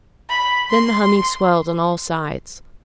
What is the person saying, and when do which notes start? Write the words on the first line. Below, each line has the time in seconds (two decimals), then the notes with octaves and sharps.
Then the humming swelled on all sides.
0.29 B5
0.70 C6